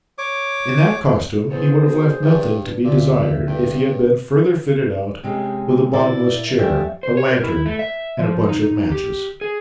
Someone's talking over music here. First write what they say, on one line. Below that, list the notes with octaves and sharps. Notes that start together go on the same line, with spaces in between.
In that costume he would have left nothing to be desired, if he had been further fitted out with a bottomless chair, a lantern, and a bunch of matches.
C#5 D6
E2 B3 G#4 A4 C5 C#5
B2
G2 D4 B4 C#5
D2 A#2 D3 F3 E5
G2 B4 G5
C3 G#3 C#4
A#2 A#3 E4 D5
F3 G3 A3 C#4 E5
C5
C#5
A#4
E4
A3
E5
F3
D#4
G4
G#4